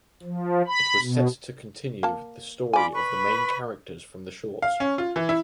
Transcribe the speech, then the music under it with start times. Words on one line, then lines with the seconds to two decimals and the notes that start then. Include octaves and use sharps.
It was set to continue the story of the main characters from the shorts.
0.23 F3
0.67 B5
1.01 B2
2.03 A#3 A5
2.73 F4 D5 G#5 B5 D6
2.94 B4 B5 C#6
4.62 F5
4.80 C#4
4.98 F4
5.16 E3
5.29 E4